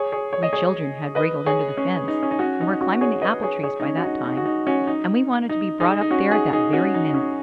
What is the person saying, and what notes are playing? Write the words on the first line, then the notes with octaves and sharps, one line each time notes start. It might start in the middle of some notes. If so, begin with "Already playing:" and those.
We children had wriggled under the fence, and were climbing the apple trees by that time, and we wanted to be brought up there that very minute.
Already playing: G#4 C#5
G#4 C#5
C#5
D#5
G#4 C#5
B4 D#5
G#4 C#5
C#4
D#4
C#4
D#4
C#4 F#4
D#4
C#4 F#4
G#4 C#5
B4 D#5
G#4 C#5
G#4 C#5
D#4
C#4
F#4
D#4
D#4
F#4
D#4
C#4 F#4
D#4
D#4
D#4 G#4
D#4
C#4 F#4
D#4 G#4
D#4 G#4
C#4 F#4
D#4
C#4